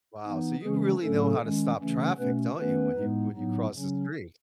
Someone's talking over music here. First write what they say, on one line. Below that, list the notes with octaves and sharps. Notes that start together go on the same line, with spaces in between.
Wow, so you really know how to stop traffic, don't you? When you when you cross the street.
E3 B3 D#4
C#3 E3 G#3 C#4 G#4
A2 F#3 A3 C#4 A4
D#3 G#3 C#4
C#3 E3 A3 C#4
B2 A3 B3 C#4 B4
D#3 A3 B3 C#4 B4
A2 G#3 B3 D#4
A2 F#3 B3 D#4
C#3 F#3 C#4